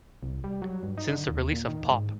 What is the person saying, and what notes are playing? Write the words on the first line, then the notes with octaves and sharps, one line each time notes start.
Since the release of Pop!
C2
G3
F#3
G2
D#4
D3
D#2
A#2
D#3
G#2